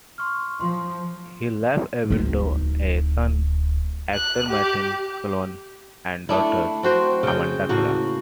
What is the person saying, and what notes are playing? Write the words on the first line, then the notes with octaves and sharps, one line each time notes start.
He left a widow, a son, actor Martin Clunes, and a daughter, Amanda Clunes.
C6 C#6 F6
F3 C6
D1 D#4
F#6
G4
A3 D4 E4
C4 F#4 C5
C#3 G5
A2 A#3 F#4